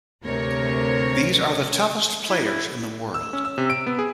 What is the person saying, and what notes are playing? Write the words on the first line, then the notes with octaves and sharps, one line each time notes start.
These are the toughest players in the world.
D2 C3 A#4 C#5
E4
E6
C#4
E6
C3
D7
B3
G#4